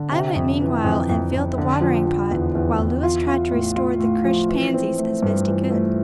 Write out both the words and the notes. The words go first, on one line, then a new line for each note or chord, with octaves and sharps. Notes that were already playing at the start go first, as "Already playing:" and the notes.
I went meanwhile and filled the watering-pot while Louis tried to restore the crushed pansies as best he could.
Already playing: D3
C3
F2
E3
F2
F2
F2
D3
F3
F3
E2
E2
E2
F4
F4
A2
F4
A2
F3
E3
C4
A3
G2
E3
A3